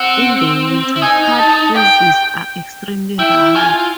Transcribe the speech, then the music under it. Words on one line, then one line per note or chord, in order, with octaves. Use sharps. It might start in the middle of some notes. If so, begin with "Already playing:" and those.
In the winter, hard freezes are extremely rare.
Already playing: C4 F#5
E4
D#4 G#5
A5
G5
E4 G5
F4 G#5